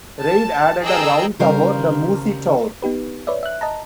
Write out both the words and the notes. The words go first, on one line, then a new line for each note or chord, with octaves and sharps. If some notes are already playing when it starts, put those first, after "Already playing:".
Reid added a round tower, the Moosie Toor.
A5
G#4 A4 D#5 G5 A#5 E6
C#3 G3 A#4 C5 F5
B3 D#4 G4 B4
B4 C#5 D5 E5
E5 F#6
D#5 A5 A#5